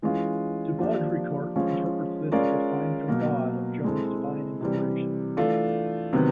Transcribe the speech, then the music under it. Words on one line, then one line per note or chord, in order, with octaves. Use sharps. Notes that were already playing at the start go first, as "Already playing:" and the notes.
De Baudricourt interprets this as a sign from God of Joan's divine inspiration.
E3 G#3 C#4 F4
F3 A#3 D4 G4
F3 G#3 C#4 F4
G#3 C#4 F4 A#4 D5
B2 F#3 A#3
G#3 C4 E4 A4
C3 E3 G3
E3 A3 D4 F4
C3 D#3 F#3 B3